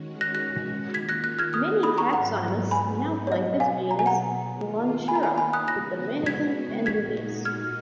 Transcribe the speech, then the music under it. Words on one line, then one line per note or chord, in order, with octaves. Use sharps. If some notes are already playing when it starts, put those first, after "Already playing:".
Many taxonomists now place this genus in "Lonchura" with the mannikins and munias.
Already playing: D#3 G#3 C#4 F#4
F#6 A#6
F#6 A#6
D#3 A#3 F4 G#6 B6
F#6 A#6
F#6 A#6
F6 G#6
D#6 F#6
B5 D#6
A#5 C#6
G#2 F#3 B3 F#5 A#5
G#5 B5
C#5
B2 F#3 B3 D#5
F5 G#5
A#5
G#5
F#5 A#5
D#3 A#3 F4
G#5 B5
A#5
G#5 B5
G#5 B5
D#6 F#6
C#3 G#3 B3 F#4 F#6 A#6
G#6 B6
A#2 G#3 D#4 F#4 G#6 B6
F6 G#6